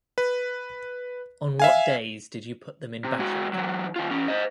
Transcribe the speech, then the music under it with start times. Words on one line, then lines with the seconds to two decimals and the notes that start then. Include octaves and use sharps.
On what days did you put them in battery?
0.18 B4
1.60 E5 F5 G#5
3.04 C3
3.19 G#3 F#4
3.54 E3 F#3
3.96 D#3 F4
4.11 E3 C#4
4.28 C5 D#5